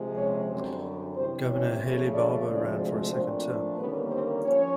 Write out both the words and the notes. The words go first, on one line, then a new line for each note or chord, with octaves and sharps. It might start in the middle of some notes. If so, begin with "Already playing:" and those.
Governor Haley Barbour ran for a second term.
Already playing: C3 F3 G#3
C#4 C#5
F#2 D3 G3 C4 C5
C3 E3 G3 C4 C5
C#4 C#5
C#3 F3 A3
D4 D5
D2 C3 F3 G#3 C4 D4 D5
A#2 F3 A3 C4 D4 C5
D#2 D3 G3 A#3 B3 C#4 B4
C4 C5
F3 C#4 C#5